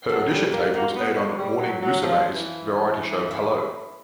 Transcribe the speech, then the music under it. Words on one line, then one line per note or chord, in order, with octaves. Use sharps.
Her audition tape was aired on Morning Musume's variety show Hello!
F#3 A4
G3 G#4
A#3 G4
A#3 F#4
B3
G#3
G3
F#3
F#3
F3 F4
E3
E4